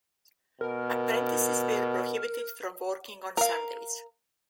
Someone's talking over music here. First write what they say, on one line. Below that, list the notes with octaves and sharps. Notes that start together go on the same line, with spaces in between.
Apprentices were prohibited from working on Sundays.
B2 A#4
A#4 F5